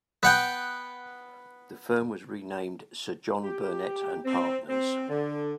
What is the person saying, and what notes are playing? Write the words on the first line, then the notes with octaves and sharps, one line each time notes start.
The firm was renamed Sir John Burnet & Partners.
B3 F#5 G5
G4
C4
C4
D3